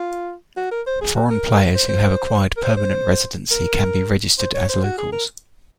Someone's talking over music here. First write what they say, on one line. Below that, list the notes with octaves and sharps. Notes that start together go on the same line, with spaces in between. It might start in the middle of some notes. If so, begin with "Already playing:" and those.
Foreign players who have acquired permanent residency can be registered as locals.
Already playing: F4
F#4
A#4
C5
G#4
F#4
A#4
C5
C5
A#4
C5
C5
A#4
C5
C#5
C5
F#4
G#4
A#4